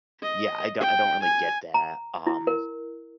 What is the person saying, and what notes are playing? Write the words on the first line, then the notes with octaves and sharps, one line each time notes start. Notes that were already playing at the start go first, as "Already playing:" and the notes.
Yeah, I don't I don't really get that, um
D#5
G5
G#5
A#5
E4
A#4